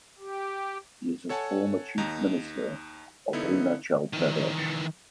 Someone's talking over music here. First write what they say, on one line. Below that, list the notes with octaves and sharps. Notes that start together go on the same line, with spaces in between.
He is a former Chief Minister of Arunachal Pradesh.
G4
A4 C#5 F#5 G#5 A5
D#2 D#4 A#5
D3 B3 D#4 E4
D#3 E3